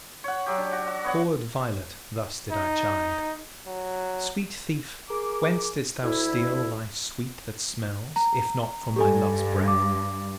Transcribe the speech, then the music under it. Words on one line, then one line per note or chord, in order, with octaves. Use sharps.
The forward violet thus did I chide: Sweet thief, whence didst thou steal thy sweet that smells, If not from my love's breath?
C#5 F#5
F#3 G4
D4
F#4
F#4
B3 C#5 F#5
D#4
F#3
G#4 A#4 D6
D2 E4
A#5
G2 G4 A4 G#5
D6